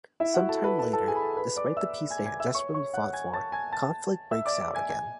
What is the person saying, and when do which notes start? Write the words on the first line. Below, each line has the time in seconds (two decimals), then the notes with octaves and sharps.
Sometime later, despite the peace they had desperately fought for, conflict breaks out again.
0.20 E4 E5
0.34 F#4 F#5
0.49 A4 A5
0.64 B4 B5
0.79 A4 A5
0.93 A4 A5
1.08 G#4 G#5
1.16 B5
1.22 A4 A5
1.37 B4 B5
1.57 D5 D6
1.77 E5 E6
2.10 G#5 G#6
2.26 G#5 G#6
2.40 E5 E6
2.55 C#5 C#6
2.74 C#5 C#6
2.94 F#5 F#6
3.13 G#5 G#6
3.33 A5 A6
3.52 G#5 G#6
3.72 A5 A6
4.31 E5 E6
4.46 D5 D6
4.60 D5 D6
4.75 G#5 G#6
4.89 G#5 G#6